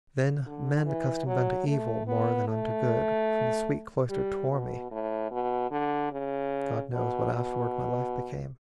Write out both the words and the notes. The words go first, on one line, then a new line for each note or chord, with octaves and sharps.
Then men accustomed unto evil more Than unto good, from the sweet cloister tore me; God knows what afterward my life became.
D3
E3
F#3
A3
B3
A3
G3
B2
A2
B2
D3
C#3
B2
B2